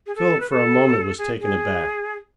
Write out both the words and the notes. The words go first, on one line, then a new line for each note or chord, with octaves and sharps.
Philip for a moment was taken aback.
G#4
A4
B4
A4
G#4
G#4